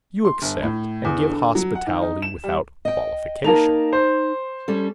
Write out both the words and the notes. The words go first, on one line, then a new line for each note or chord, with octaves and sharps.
You accept and give hospitality without qualification.
C6
G1
A2
E2
D3
F#3
F#5
D#3
D#4
E7
G3
D#5 G5
A#3 D#4 A5 F7
C5
G3 C#4 A4